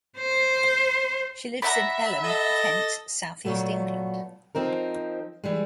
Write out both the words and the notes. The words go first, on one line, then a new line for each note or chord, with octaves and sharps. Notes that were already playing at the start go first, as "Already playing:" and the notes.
She lives in Elham, Kent, South East England.
C5
D5 E5 F#5 A#5 B5
A4 D#5
A#2 E3 F#3 A3 B3
F3 C4 D#4 A#4
E3 G3 G#3